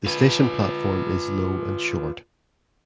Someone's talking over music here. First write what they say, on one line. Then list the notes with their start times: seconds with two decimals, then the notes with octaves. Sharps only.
The station platform is low and short.
0.06 F4 B4